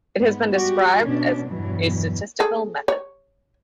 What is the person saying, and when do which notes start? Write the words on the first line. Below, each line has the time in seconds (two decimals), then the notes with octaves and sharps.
It has been described as a "statistical method".
0.20 G#2 B3
0.54 G3 F#4 G4
1.02 B2 C#4 D4
1.49 E2 G2 B2 E3 F#3
2.40 G#4 A4
2.88 C#5